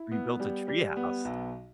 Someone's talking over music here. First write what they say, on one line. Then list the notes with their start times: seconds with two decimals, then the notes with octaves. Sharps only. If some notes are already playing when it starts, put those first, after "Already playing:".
We built a tree house.
Already playing: E4
0.11 B3
0.39 G3
0.68 G3
0.96 B3
1.25 B1